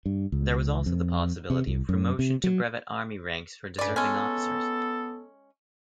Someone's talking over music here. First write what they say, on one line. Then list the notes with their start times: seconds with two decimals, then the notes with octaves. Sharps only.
There was also the possibility of promotion to brevet army ranks for deserving officers.
0.06 G2
0.32 C#2
0.86 F2
1.50 C3
1.67 C2
1.89 F#2
2.19 C3
2.44 F#3
3.78 G2 C#3 D5
3.96 G#3 B3 C#4 A4